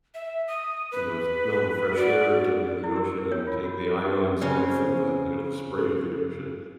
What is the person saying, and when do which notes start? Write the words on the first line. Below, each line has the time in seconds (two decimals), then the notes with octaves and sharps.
you know, smell the fresh air, get near the ocean, and take the ions in from the, you know, the spray of the ocean,
0.14 E5
0.48 D#6
0.92 B4
1.96 F#4 D5
2.84 E4
2.96 A#4
3.18 A#4
3.32 C#5
3.47 F4
3.64 F#4
4.41 C#3 C4 C#4